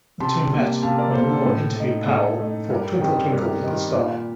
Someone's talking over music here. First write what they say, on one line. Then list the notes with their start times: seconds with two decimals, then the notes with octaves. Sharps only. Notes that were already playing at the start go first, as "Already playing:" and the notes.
The two met when Moore interviewed Powell for "Twinkle, Twinkle, Little Star".
0.20 C3 A5 C6
0.51 G3 A#3
0.83 C3 F5 A5
0.98 A#4 D5
1.14 G3 A#3 A4 C5
1.30 A4
1.45 A2
1.76 A3 D#4
2.07 A2 A4
2.39 A3 D#4
2.70 G2 G4 A#4
3.01 D#3 G3 C4 D#4 D#5 G5
3.32 G2 G4 A#4
3.64 D#3 G3 C4 D#4
3.95 A#2